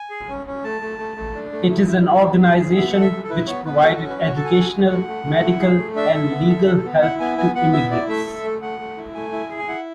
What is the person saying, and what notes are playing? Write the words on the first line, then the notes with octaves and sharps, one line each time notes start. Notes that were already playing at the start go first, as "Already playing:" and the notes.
It is an organization which provided educational, medical and legal help to immigrants.
Already playing: G#5
G#4
C#4
C#4
A3 A5
A3
A3
A3
D4
A3
E4
E4
E4
B3
G#4
G#4
B3 E5
A4 F#5
E5
A4
A4
E4 B4
B3 C#5
B3 B4
F#4 A4
A4
C#4
B4
F#4 C#5
A4 A5
G#5
F#4 F#5
G#5
F#4
A3 F#5
A3
A3
E4
G#4
A3
D4 E5
A4
B3
A4
A4
B3
E4 F#5
B3 G#5
B3 G#5
B3 F#5
E4 E5
E4 D5
A3 E5
A4
A3
A3 F#5
A3
E4
A3 G#5
E4
G#4
G#5
E4 F#5